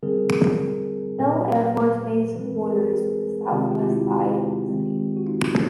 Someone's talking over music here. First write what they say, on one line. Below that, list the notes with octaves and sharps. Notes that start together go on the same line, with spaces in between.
Hill Air Force Base borders the southwest side of the city.
D3 G3 C4 G#4 A#4
A#2 F#3 A#3 A4 B4
E3 G#3 C4 B4
A#4
A4
G#4 A#4
C3 D#3 G#3 C4 F4 G4
F4 G4
G4
E4 F#4
F4 G4
D#3 G#3 C4
F#4
D#4 F4